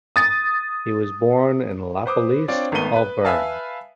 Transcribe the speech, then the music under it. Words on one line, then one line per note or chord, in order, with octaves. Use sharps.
He was born at Lapalisse, Auvergne.
D#6 A6
B4 C5 D6 D#6
C4 D4 F4 C#5 D5
G#1 D#3 A3 B3 D#7 G7
B4 B5
B4 E5 F5 G#5 A5